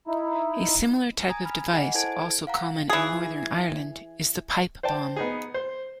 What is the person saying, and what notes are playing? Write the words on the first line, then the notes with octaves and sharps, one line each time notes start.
A similar type of device, also common in Northern Ireland, is the pipe bomb.
D#4 E4
G#5 A#5 D#6 G#6
B5 F6
G#4 D#5 F#5 G#5
E4 A4 C5 A5 G#6 D7
F5 F#5 A#5
E3 G#4
C5 D5 G5 A5
B3 D#4 G#4
C5